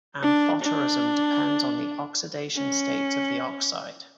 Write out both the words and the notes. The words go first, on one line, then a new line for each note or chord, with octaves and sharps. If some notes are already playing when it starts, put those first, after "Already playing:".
Amphoterism depends on the oxidation states of the oxide.
D4
D4
C#4